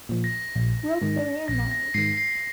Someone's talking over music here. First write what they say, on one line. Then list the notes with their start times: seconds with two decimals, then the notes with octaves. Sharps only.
Rop the rameras!
0.09 A#2 F3
0.24 A#6
0.56 A#1
1.02 G#2 D#3
1.48 A#1 A#6
1.71 A#6
1.94 G#2 D#3 C7
2.17 C7